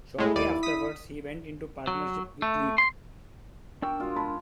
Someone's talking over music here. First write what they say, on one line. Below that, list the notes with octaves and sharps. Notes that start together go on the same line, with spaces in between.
Shortly afterwards he went into partnership with Leake.
A2 G#3 E4
D#2 D5 D#7
D#6 B6
F#3
A3
C6
D4 A#4 G5 C#6 E6
G#3 F4 F#4
G#3 A5 B5